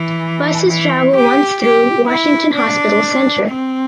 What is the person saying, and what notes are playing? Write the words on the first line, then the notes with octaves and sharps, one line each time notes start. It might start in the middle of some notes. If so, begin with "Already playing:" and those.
Buses travel once through Washington Hospital Center.
Already playing: E3
E3
G4
G4
E4
D4
C4